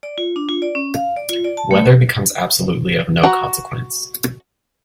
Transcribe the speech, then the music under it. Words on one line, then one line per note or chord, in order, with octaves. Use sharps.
Weather becomes absolutely of no consequence.
D5
F4
D4
F4
D5
C#4
F5
D5
F4
D5
A5
A3
F#4 A#5